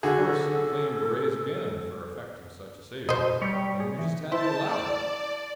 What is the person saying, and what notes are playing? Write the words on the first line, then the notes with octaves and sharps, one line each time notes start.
Of course he claimed a raise again for effecting such a saving, and we just had to allow it.
D3 F#4 G#4 A4
B2 C5 D#5
G3 G4 C#5
G#4
E3
E4 C5 A5
D5